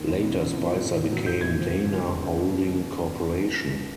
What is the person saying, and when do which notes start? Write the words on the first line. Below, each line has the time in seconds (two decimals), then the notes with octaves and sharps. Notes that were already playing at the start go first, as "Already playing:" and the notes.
Later Spicer became Dana Holding Corporation.
Already playing: D#2
0.09 E1
0.24 C#3
0.39 A#2
0.53 C2
0.68 F3
0.83 A2
0.97 A1
1.12 F#3
1.26 G#2 G6
1.41 A#1 G#6
1.56 F3
1.70 F#2
1.85 G1
2.00 C#3